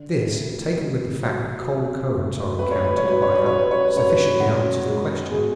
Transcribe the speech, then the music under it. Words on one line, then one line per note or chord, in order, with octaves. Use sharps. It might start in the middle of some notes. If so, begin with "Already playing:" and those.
This, taken with the fact that cold currents are encountered high up, sufficiently answers the question.
Already playing: D3
D2
D2
F#3
C#3
D2
D2 B4
C#5
B4
C#5
F#3
B4
C#5
B4
C#3 C#5
B4
C#5
B4
F#2 C#5
B4
F#2 F#4
G#3
B2 G#4